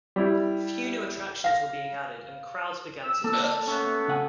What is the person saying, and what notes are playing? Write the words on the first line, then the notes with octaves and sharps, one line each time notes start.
Few new attractions were being added, and crowds began to diminish.
G3 E4
F5 A#6
E6
A#3 A4
A3 B3 C#4
C#3 F#5 G#5